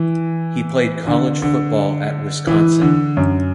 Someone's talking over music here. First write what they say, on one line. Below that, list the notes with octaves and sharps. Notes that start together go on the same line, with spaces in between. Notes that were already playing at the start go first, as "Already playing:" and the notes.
He played college football at Wisconsin.
Already playing: E3
D3
D3
E3
D3
F#2